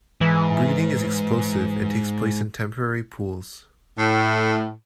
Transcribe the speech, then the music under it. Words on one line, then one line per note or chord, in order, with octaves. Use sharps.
Breeding is explosive and takes place in temporary pools.
G#2 E3
A2